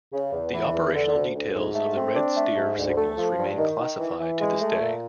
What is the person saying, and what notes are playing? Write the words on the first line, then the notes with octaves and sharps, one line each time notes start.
The operational details of the Red Steer signals remain classified to this day.
C#3
E2
E3
E2
D3
D2
D2
G#2
A3
C4
D4
A3
G#2
D2
A3
F3
G2
D#3
D#3
E3
E3
G#3
A3
A#2